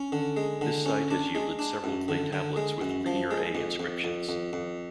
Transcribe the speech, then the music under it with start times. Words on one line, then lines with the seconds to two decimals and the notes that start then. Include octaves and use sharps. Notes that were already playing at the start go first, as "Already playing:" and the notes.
This site has yielded several clay tablets with Linear A inscriptions.
Already playing: C#4
0.12 D3
0.37 G#3
0.61 D3
0.86 C#4
1.10 D4
1.35 G#3
1.59 D4
1.84 F#2
2.08 D3
2.33 D3
2.57 G#3
2.81 F#2
3.06 F3
3.31 G#3
3.55 F2
3.79 F2
4.04 F2
4.29 F2
4.53 F2